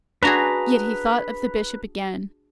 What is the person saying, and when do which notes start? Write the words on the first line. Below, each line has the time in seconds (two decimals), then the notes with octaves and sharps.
Yet he thought of the bishop again.
0.23 D4 F#4 G#4 B4 A#5